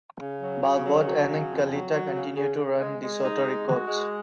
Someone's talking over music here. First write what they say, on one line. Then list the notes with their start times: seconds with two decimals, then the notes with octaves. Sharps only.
Barbot and Coletta continue to run DeSoto Records.
0.19 C#3
0.41 F#3
0.62 C#3
0.83 F#3
1.06 F#3
1.27 C#3
1.50 F2
1.71 F#3
1.93 F#3
2.15 C#3
2.35 C#3
2.58 C#3
2.79 G#3
3.02 G#3
3.23 D#4
3.44 G#3
3.66 F#4
3.87 G#3